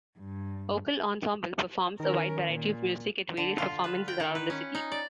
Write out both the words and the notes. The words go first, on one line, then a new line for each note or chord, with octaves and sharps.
Vocal Ensemble performs a wide variety of music at various performances around the city.
G2
D#3 C#4 A#4
A#2
D3
F4
B4
G5
D#3
B4
C#4
D#4
D5